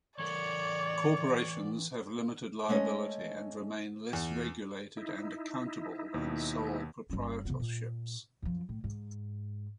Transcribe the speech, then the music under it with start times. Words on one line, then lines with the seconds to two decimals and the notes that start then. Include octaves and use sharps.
Corporations have limited liability and remain less regulated and accountable than sole proprietorships.
0.19 E3 A4 A#4 C#5 D5
2.69 G#3 A3 C#4 D#5
4.13 E2
4.97 D#4 E4
6.14 D#2 B2
7.10 G1 C#4
7.45 C#3 B3
7.60 A#2
8.42 F#2 F3
8.69 A2
8.84 G#2